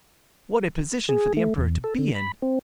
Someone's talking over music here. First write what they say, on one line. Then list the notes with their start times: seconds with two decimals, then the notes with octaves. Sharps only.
What a position for the Emperor to be in!
1.09 G#4
1.37 A3
1.58 E2
1.84 A4
1.99 D3
2.15 B5
2.42 C4